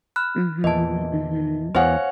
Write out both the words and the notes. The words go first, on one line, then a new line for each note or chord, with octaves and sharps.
Mhm. Mhm.
B5 F6 F#6
E2 A#2 E3 D#5 A5
E2 B3 G4 C5 C#5 F5 F#5 G#5